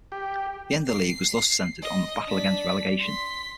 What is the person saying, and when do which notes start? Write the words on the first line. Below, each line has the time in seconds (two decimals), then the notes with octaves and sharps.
The end of the league was thus centered on the battle against relegation.
0.12 G4
0.87 C7
1.82 D#5
2.28 D4 B6
3.00 C6 B6